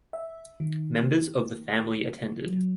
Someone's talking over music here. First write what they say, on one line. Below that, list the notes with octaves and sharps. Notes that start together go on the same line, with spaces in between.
Members of the family attended.
E5
D#3
F#3